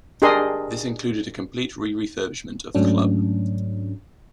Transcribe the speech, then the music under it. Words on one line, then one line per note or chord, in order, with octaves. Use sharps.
This included a complete re-refurbishment of the club.
D4 G4 G#4 A#4 D#5 C6
G#2 F#3 A3 C#4 D4